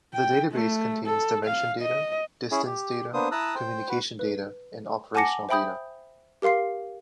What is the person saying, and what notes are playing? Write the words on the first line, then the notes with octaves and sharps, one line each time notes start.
The database contains dimension data, distance data, communication data and operational data.
G5
A3
A4
F5
D#5
C#4 E4 G#4
G4
A#3 B3 D4 C5 D#6
E4 A5 A#5 D#6 E6 F#6
C5 G5
F#4 B4
B4
F#5 G#5 A5 D6 A#6 C#7
C5 E5 G5 B5 D#6 G6
G4 A#4 F5 C6 C7